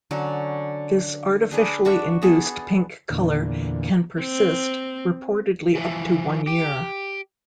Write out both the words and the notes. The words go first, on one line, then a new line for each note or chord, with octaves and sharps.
This artificially induced pink color can persist, reportedly up to one year.
D3 F#3 C#4
D4 G#4 B4
D4 F#4 E5 C#6
B3 G#4 A4
E2 A#2 D3
C4
E3 F3
G4